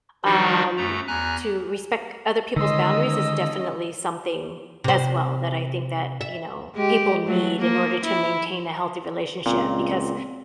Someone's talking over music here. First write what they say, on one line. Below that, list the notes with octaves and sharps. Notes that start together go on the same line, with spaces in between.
um, to respect other people's boundaries is definitely something, as well, that I think that, you know, people need in order to maintain a healthy relationship, because,
D#3 F3 G3 D4 D#4 F#4
F#2 A3 A#5
E2 G#5 A#5 F#6
D3 D#3 G#3 C#4 D#5 C6 E6
C3 C5
E5
G#3 G4
F#3 A3
A#3
E4
C#2 A#2 C4